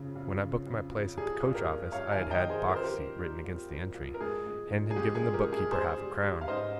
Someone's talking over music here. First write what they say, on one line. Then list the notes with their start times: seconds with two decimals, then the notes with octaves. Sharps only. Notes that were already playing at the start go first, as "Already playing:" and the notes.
When I booked my place at the coach office I had had 'Box Seat' written against the entry, and had given the book-keeper half-a-crown.
Already playing: F2 C#3
0.16 F2
0.41 C#3
0.67 F2
0.92 F2
1.17 G3 G#4
1.43 G2
1.54 G4 A#4
1.67 G3
1.92 G2 C#5 F5
2.12 F5 G#5
2.18 D#3
2.31 D#5 G5
2.44 D#3
2.50 G#4 C5
2.69 F2 A#4
2.76 C5
2.84 G4 A#4
2.94 G3
3.19 G3
3.44 F2
3.70 F2
3.94 F2
4.14 A#4
4.20 G#3 G#4
4.46 G#3
4.71 A#2
4.91 G#4
4.96 G#3 G4
5.15 G#4
5.22 A#2
5.34 G4 A#4
5.47 G#3
5.53 G#4
5.72 G3 G#4 C5
5.97 G3
6.23 G3
6.41 F5
6.48 G#2 C5 D#5